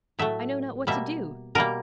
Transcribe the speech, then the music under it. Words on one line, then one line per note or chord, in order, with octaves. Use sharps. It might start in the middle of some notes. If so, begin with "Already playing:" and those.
I know not what to do.
A2 F#3 A3 E5
B2 G3 A#3 E5
B2 G3 A#3 A#4